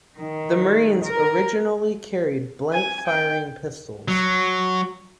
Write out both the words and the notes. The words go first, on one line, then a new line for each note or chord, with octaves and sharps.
The marines originally carried blank firing pistols.
D#3
A#4
G#5
G5
F#3